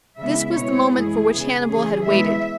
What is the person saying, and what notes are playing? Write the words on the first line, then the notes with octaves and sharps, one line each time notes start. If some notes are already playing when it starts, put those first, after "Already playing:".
This was the moment for which Hannibal had waited.
C#3 G#3 B3 E4 E5
B2 G#3 C#4 E4 C#5
F#2 E3 G#3 E4 G#4
C#3 G#3 B3 E4
C#3 E3 C#4 G#4
B2 G#3 B3 E4 E5